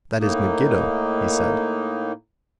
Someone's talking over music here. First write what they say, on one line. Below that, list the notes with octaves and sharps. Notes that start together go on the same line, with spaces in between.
"That is Megiddo," he said.
A2 A#3 D#4